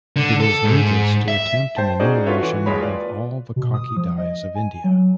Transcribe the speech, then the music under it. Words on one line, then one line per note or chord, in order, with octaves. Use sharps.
It is needless to attempt an enumeration of all the khaki dyes of India.
D3
A4
G#2
E5
C5 G5 A5
C#4 D#4 F#4 G#4 C5 D5
F4 F#4 A4 B4 C#5 E5
E3 F#4
D#2 G#3 C#5 B5
F4 B4 D5
B2
D#6
F3
D#5
G#5
F#3